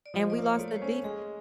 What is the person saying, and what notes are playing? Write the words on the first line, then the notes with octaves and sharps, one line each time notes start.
And we lost the defense
D5
F3 D#5
D5
A#3
C#5
A3 D5
C#5
C5
C#4 C#5
G#3 G#4